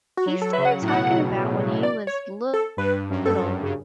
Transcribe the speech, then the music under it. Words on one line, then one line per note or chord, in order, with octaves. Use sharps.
he started talking about when he was little,
F#4
F#3
A4
C#3 E5
F#5
A2
B2 F#5
D5
C#5
A4
G2 B4
F#2
A4
G2
C#3